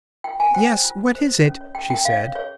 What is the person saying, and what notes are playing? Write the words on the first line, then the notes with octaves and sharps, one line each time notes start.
"Yes, what is it?" she said.
F4 G5
F4 G#5
C5 G5
C5
F4
F4
C5
C5
C#4
C#5
G#4 G5
C#4 G5
C#4 F5
C#5
G#4 C#5